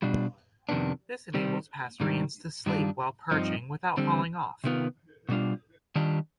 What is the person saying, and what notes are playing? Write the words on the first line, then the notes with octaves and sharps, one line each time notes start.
This enables passerines to sleep while perching without falling off.
B2 G3 D4 F4
F2 C3 D#3 B3 D4
C3 D#3 G3 C4
G#2 D#3 G3 D4
G2 D#3 G3 D4 F4
G2 F3 C4 D#4
D3 G3 C4
C3 D#3 B3 F4
B2 G3 D4 F4
D#3 G3 D4 F4